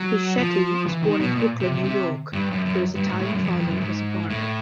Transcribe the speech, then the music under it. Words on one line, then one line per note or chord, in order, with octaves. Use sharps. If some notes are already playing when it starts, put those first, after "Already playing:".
Fischetti was born in Brooklyn, New York, where his Italian father was a barber.
Already playing: F#3
F3
E3
D#3
B2
A#2
C3
C3
C3
G2
F#2
F#2
G2
G#2
A2
F#2
F2
F2
F#2
G#2
A2